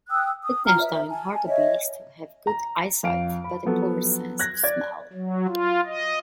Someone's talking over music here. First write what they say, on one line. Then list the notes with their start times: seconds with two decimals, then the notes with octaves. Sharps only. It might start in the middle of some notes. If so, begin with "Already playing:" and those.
Lichtenstein's hartebeest have good eyesight but a poor sense of smell.
0.10 G5 D#6 E6 F#6
0.41 D#6
0.66 F4 G5 A#5 F6
0.80 E5
1.10 G#5 A5
1.46 C#5 D#5 E5
2.47 A#5
3.03 F2 F5 D7
3.44 B5
3.65 F3 F#3 B3 A4
4.39 F#6 G#6 A#6
4.63 D5 G#6
5.13 F#3
5.48 F4
5.86 D#5